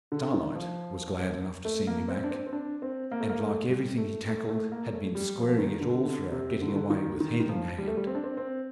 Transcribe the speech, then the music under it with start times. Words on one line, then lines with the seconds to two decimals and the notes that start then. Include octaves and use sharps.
Starlight was glad enough to see me back, and like everything he tackled, had been squaring it all for our getting away with head and hand.
0.12 D3
0.34 D#3
0.55 F3
1.65 A3
1.87 A#3
2.08 C4
2.24 D4
2.31 C4
2.47 C4
2.53 D4
2.82 C4
3.11 A#3
3.21 A3
3.29 A#3
3.40 A3
3.69 G3
3.98 A3
4.28 A3
4.50 A3
4.72 A#3
4.93 A3
5.15 G3
5.38 F3
5.59 D#3
5.81 D3
6.03 D3
6.32 C3
6.62 D3
6.68 D#3
6.76 D3
6.90 D#3
7.20 D#3
7.40 D#3
7.49 F3
7.78 G3
7.87 A3
7.97 G3
8.07 C4
8.15 D4
8.24 C4
8.37 C4